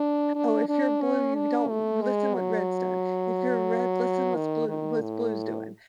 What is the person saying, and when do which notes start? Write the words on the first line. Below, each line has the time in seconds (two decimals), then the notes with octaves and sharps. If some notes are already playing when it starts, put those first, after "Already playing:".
"Oh, if you're blue, don't listen what reds done. If you're red, listen what's blue what's blue's doing,"
Already playing: D4
0.35 D4
0.68 D4
1.02 C#4
1.35 D4
1.69 A3
2.02 G#3
2.35 F#3
4.35 D#3
4.69 D#3
5.01 A2